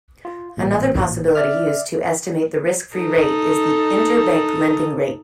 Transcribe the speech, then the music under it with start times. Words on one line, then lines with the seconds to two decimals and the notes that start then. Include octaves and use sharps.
Another possibility used to estimate the risk free rate is the inter-bank lending rate.
0.25 F4
0.57 A1 A#2
1.35 D5 E5 F6
2.95 D#4 A4